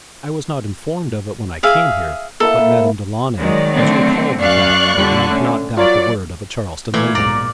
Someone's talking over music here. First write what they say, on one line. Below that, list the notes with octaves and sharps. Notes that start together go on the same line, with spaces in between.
I was not informed of it when I came here, but Madame Delaunay has recalled the fact and I cannot doubt the word of a Charleston lady.
G#4 E5 F5
A#3 E4 A4 F#5
D#3 F#3 G#3 D5
D3 A3 C4
F#2 D5 F5 C#6 F#6
F2 D3 G3 B6
A3 C#4
F#3 F4 A#4 C#5 D5
A#2 E3 A3 G#6
B1 G#2 D5 A#5